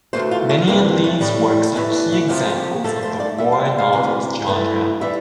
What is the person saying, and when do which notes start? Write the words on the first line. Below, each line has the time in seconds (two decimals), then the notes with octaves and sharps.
Many of these works are key examples of the war novel genre.
0.13 D2 C3 E3 A3 C5
0.31 F4
0.49 A3
0.68 F2 C3 E3 A#3
1.04 A3
1.21 A2 G3
1.76 A2 E3 A3 E4
1.94 D4
2.12 E4
2.29 F2 C3 F3 A3 G4
2.58 G4
2.84 G2 F3 A3 A4
3.03 C5
3.20 D5
3.38 A#2 G3 E5
3.52 F5
3.65 G5
3.78 F5
3.93 D2 C3 E3
4.46 G2 E3 A3
5.01 E3 G3 E5